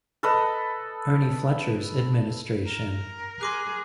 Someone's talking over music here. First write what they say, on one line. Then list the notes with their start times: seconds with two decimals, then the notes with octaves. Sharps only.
Ernie Fletcher's administration.
0.23 A4 B4 D#5
2.64 A#4
3.41 G#4 C6 D6 F#6